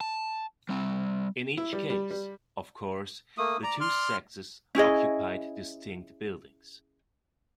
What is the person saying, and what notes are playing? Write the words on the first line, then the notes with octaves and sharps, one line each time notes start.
In each case, of course, the two sexes occupied distinct buildings.
A5
G3 C4
E4
G3
G3
G3
A3 A#3 D#6
D5 A#5
C6 F6
C#4 E4 G#4 D#5